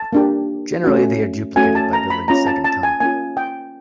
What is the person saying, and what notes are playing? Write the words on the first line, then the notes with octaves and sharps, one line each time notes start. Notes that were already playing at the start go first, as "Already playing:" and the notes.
Generally they are duplicated by building a second tunnel.
Already playing: A5
A#3 D4 G4
A3 C#4 F#4
A3 C#4 F#4 G#5
A5
A#5
B5
A#3 C#4 F4 A#5
A5
A5
G#5
A#3 C#4 F4 G#5
G5